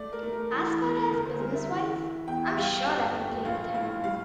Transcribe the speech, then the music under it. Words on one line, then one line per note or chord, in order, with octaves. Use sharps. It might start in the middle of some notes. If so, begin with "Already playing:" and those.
As far as business-wise, I'm sure I could play with him.
Already playing: A3 D5
A#4
A3
A#4
E3 A4
E4
E2
A4
D2 A#4
C5
G3 A#4
E5
E3
E3
E2 G5
E5
G3 F5
F5
G1 G5
A3
A#1 F5
A2 F5
G3 F5